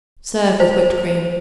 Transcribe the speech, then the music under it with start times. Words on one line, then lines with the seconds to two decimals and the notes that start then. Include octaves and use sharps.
Serve with whipped cream.
0.60 C5